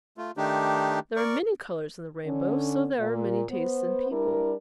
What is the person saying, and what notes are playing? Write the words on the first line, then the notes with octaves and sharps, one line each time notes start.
There are many colours in the rainbow; so there are many tastes in people.
A3 F4
D#3 A3 D4 D#4 G4
A#4 D5 C#6
D3 C#4
A#2
B3 C5
G3 D4 E4 A#4